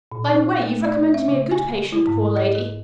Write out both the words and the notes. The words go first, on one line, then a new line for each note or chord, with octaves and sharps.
'By the way, you've recommended me a good patient, poor lady!
A#2
D#4
A3
D5
E5
C#3
G#5
E4
G#2
D#5
G#4